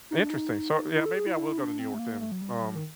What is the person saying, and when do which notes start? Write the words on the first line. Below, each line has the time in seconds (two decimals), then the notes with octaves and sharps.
Interesting. So, yeah, maybe I will go to New York then. Um,
0.11 D#4
0.20 D4
0.30 D#4
0.95 E4
1.06 A4
1.16 G#4
1.26 E4
1.37 E4
1.58 D4
1.79 C4
1.94 A3
1.99 A#3
2.21 A3
2.32 F#3
2.42 G3
2.62 F#3
2.75 D#3